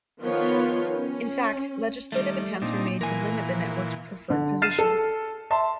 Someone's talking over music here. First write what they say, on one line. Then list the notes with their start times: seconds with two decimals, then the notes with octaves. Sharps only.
In fact, legislative attempts were made to limit the network's preferred position.
0.21 D#3 F3 B3 F4 B4 C#5
0.99 C#4
2.12 D#3 G3 A3
2.62 A#2 C4 D4 D#4
3.01 A#2 E3 A#4 G#5
4.30 D3
4.62 F6 A6 C7 D#7 E7
4.79 A4
5.51 E5 A5 C6